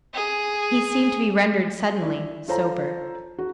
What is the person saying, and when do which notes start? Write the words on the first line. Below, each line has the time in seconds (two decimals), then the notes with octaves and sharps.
He seemed to be rendered suddenly sober.
0.14 G#4
2.02 E4 D5
2.48 F4 A4 C5 C#5 A#5
3.38 F#4